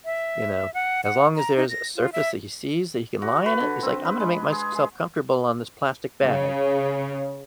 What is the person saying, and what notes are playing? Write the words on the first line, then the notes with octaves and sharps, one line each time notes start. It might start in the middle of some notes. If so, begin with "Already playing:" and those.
you know, as long as there's a surface that he sees that he can lie in it, he's, like, "I'm gonna make my s self comfortable on this plastic bag."
E5
F#5
F#5
A#5
D#4
A#6
F4
E5
F#4
B4
D3
C4
B4
G#3
G#4
G#4
C#3